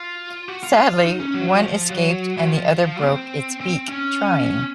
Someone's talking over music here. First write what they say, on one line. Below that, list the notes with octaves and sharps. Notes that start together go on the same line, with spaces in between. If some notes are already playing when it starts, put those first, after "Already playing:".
Sadly, one escaped and the other broke its beak trying.
Already playing: F4
F#4
F4
D#4
C#4
F#3
F#3
F3
F#3
F#3
F3
C4
C4
C#4
C#4